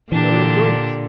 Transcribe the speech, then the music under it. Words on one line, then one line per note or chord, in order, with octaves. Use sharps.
"Where will it join us?"
A#2 D3 E3 D4 G4